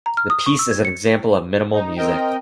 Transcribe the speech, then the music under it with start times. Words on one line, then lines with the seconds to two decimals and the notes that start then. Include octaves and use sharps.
The piece is an example of minimal music.
0.06 A#5
0.17 F6
0.30 D#6
0.46 C#6
0.59 E6
0.71 G#6
0.85 C#7
1.72 D#4
1.96 C4 A#4 D#5 G5